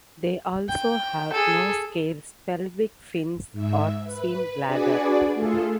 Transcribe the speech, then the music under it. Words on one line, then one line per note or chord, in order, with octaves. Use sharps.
They also have no scales, pelvic fins or swim bladder.
G5
G#4 A4
G#2 E5
B4
D4 F#4 G#4 B4 D5 G#5
A3 F4 G#4 A4